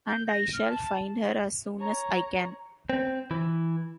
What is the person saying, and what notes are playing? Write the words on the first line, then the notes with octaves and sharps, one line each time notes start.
And I shall find her as soon as I can.
G6
A#6
F6
A5
C#5 A#5
C4
E3